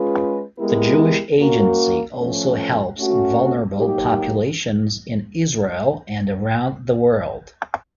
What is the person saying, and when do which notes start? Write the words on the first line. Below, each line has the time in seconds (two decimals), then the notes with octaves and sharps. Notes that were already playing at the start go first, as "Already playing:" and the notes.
The Jewish Agency also helps vulnerable populations in Israel and around the world.
Already playing: G#3 C#4 F4 G#4 B4
0.59 G#3 B3 E4 G4 A#4
1.37 A#3 C#4 F#4 A#4
2.17 F3 A3 C#4
2.97 A3 C#4 F#4
3.76 F#3 A#3 D#4 G4